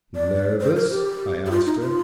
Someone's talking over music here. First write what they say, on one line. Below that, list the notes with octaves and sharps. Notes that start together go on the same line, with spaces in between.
"Nervous?" I asked her.
D5
C5
A#4
G4
G4
F4
D#4
F4